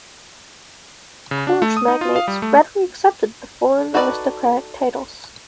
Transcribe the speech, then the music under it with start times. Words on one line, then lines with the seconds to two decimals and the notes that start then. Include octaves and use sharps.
Polish "magnates" readily accepted the foreign aristocratic titles.
1.31 C#3
1.47 D4
1.62 A3
1.77 D#6
1.88 D#4
2.01 F4
2.16 F5
2.28 G3
2.42 A3
3.94 D#4 F#4 A4 B4 D5